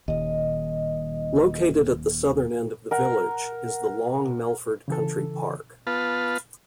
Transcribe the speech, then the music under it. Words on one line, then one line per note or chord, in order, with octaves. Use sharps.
Located at the southern end of the village, is the Long Melford Country Park.
D#1 D#2 D#5
A#4 F#5 A#5
C#3 E3 A4
B3 F4 B4 F5 A5